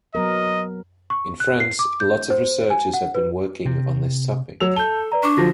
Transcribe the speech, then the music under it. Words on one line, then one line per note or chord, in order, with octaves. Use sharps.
In France a lot of researchers have been working on this topic.
F#3 B3 A#4 D#5
C#6
F#6
C7
D6
G6
C5
G#5
F#5
B4
C3
F#3 E6 F7
A4 A5 G6 G7
B4 D5 A#5
D4 C#6 D6
D3 F3 F#4 A#6